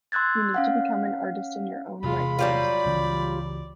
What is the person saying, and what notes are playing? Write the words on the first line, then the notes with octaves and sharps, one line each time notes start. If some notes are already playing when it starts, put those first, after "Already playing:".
You need to become an artist in your own right first.
C6 E6 F#6 G#6 A6
C#4 F5 F#5
E1 E2 C3 G#3 F4 B5
F#3 G3 F4 D5
C#2 C#3 E3